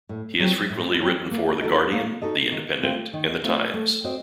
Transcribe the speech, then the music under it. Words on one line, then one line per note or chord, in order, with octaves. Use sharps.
He has frequently written for "The Guardian", "The Independent" and "The Times".
A2
F#3 C4
A2
F#3 C4
A#3
D#4 F#4 A4 D#5
A#3
D#4 F#4 A4 D#5
D#3
A3 C4 F4 C5
D#3
A3 C4 F4 C5
A3
C4 F#4 C5 D#5